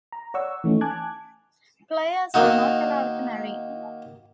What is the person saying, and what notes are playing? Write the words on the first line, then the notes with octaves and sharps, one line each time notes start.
Players were not allowed to marry.
A#5
C#5 D5 F#5 C#6 E6
E3 A3 C#4 D#4
G#5 A5 D6 F#6 G#6
D#3 A#3 D#4 F#4